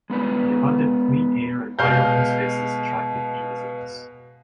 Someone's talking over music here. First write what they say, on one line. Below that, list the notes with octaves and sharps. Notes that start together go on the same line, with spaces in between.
The abundant clean air and wide-open spaces attracted new residents.
G#3 B3 B4 D5
B2 G#3 F5 F6 G6